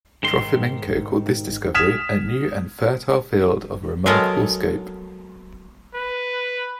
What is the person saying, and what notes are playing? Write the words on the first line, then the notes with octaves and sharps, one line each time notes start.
Trofimenko called this discovery "a new and fertile field of remarkable scope".
G#2 D#3 C6
D#6 F6 G#6 B6 E7
F#3 G#3 B3 A4 A#4 A5
B4